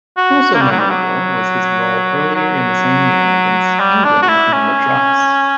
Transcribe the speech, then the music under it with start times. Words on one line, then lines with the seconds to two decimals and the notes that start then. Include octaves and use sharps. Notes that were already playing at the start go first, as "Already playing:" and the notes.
Also memorable was his role earlier in the same year against England in Madras.
0.17 F#4
0.54 A#3
0.62 G3
0.71 F#3
0.79 G3
0.90 F#3
2.35 F#3
3.80 G3
4.04 D4
4.22 F#4
4.29 E4
4.53 C#4